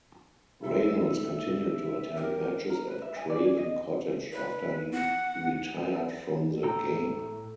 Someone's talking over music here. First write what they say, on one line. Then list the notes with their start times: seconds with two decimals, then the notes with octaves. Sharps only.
Reynolds continued to attend matches at Craven Cottage after he retired from the game.
0.64 A4 E5
2.17 G4 A#4
2.70 A#4
2.88 B4
3.02 E5
3.16 G#5
3.30 D5
3.45 G#4
3.58 D#5
4.33 B4
4.93 F#5
6.63 A2 A4 G5 A#5